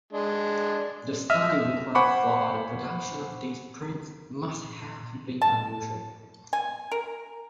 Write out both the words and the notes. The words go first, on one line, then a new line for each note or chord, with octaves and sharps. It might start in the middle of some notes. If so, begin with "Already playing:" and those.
The study required for the production of these prints must have been unusual.
G#3 D4
D#5 E5 F6
C5 F#5 G#5 B5 C#6 D6
A5
G#5
A#4